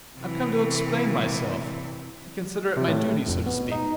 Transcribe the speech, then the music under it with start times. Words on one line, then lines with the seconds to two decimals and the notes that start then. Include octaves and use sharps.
I've come to explain myself, I consider it my duty, so to speak.
0.18 C3 E3
2.76 C3
2.88 A2
3.28 F1
3.46 B2
3.71 D#4